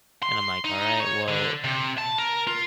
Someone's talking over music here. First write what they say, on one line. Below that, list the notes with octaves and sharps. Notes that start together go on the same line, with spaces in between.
And I'm like, "Alright, well"
C6
D#4
C#5
D3
C3
A5
A#4
F4